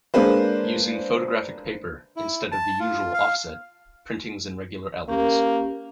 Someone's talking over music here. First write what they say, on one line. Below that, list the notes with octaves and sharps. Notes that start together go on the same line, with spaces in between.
Using photographic paper, instead of the usual "off set", printings in regular albums.
G#3 A#3 D4 G#4 B4 C5
E4
A5
F4
F5
A#3 C#4 G4 A#4